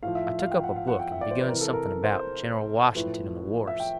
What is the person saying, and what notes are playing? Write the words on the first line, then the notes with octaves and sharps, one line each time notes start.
I took up a book and begun something about General Washington and the wars.
A2 F3 F5
E5
E5
F5
G5
F#5
F5
F#5
G5
E5
D5
C5
B4
C3 E3 A#4
A4
A#4
C5
A2 F3 B4
E5
G5